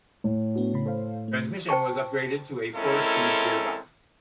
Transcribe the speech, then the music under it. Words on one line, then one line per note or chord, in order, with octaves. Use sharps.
Transmission was upgraded to a four speed gear box.
A2
B3 D4 F#4
C#3 B5
A4 C5 F5
A3
C5 G5 A5 C#6
G#3 C4 C#4 E4 A4 A#4